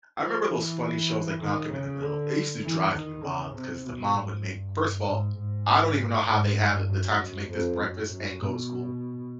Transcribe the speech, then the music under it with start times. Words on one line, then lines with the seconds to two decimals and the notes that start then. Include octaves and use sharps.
I remember those funny shows like Malcolm in the Middle, it used to drive me wild because the mom would make first of all, I don't even know how they had the time to make this breakfast and go to school
0.19 F3
0.49 E3
1.41 D#3
1.72 C#3
2.02 D3
2.63 E3
2.93 D#3
3.23 C#3
3.54 C3
3.85 B2
4.15 G#2
4.45 G2
5.07 G#2
5.37 G#2
6.28 G#2
6.58 G2
6.89 F#2
7.50 F2
7.80 F#2
8.11 F#2
8.41 B2